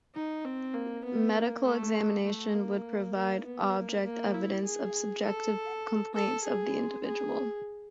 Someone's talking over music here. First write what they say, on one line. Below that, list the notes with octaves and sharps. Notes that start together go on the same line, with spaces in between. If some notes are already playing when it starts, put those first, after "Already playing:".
Medical examination would provide object evidence of subjective complaints of the individual.
D#4
C4
A#3
B3
A#3
A3
A3
A#3
A#3
B3
A#3
A#3
E4
G#4
A4
A4
G#4
G#4